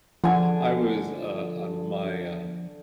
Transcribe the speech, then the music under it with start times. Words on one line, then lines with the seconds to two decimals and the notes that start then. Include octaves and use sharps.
I was, uh, uh, my uh,
0.24 D3 F3 G#5